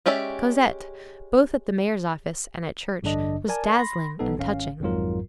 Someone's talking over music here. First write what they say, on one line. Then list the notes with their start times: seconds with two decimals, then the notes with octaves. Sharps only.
Cosette, both at the mayor's office and at church, was dazzling and touching.
0.06 G#3 C#4 G4 D5 E5
3.03 A1 G2 D3 D4 D#5
3.48 A#4 D5 G#5 A5
3.77 B5 C6 A#6
4.19 B1 B3 D#4 A4
4.38 G#1 C#4 F5
4.81 G#1 F2 G#2 F#3 F4 A#4